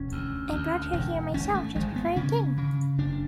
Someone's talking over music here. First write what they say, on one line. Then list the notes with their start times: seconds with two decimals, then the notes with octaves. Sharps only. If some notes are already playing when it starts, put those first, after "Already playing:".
I brought her here myself just before you came.
Already playing: E1 C#4
0.12 D2
0.52 D2
0.93 E1
1.34 G#1 C#4
1.55 A3
1.75 G#1 G#3
1.96 B3
2.16 C#3 C#4
2.57 C#3
2.98 F#1 D4